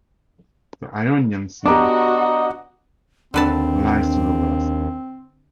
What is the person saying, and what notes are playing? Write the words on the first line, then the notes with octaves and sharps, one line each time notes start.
The Ionian Sea lies to the west.
B3 D4 F#4 G4 D#5 A#5 D6
D#2 D3 C4 D4 B4 A5